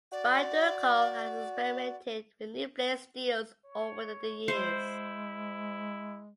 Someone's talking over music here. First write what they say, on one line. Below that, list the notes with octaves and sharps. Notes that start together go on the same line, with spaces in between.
Spyderco has experimented with new blade steels over the years.
F#4 D5
C#5
G#3 E4 C5